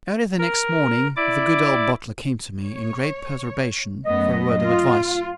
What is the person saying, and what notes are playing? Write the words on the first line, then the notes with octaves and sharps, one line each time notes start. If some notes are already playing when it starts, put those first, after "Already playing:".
EARLY the next morning, the good old butler came to me, in great perturbation, for a word of advice.
A#4
E4 D5 D6
C#5
F#2 A3 B3 D#5
F4